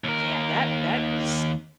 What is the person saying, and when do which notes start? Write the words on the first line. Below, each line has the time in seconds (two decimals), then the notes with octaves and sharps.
Yeah, that that was
0.04 D#2 A#4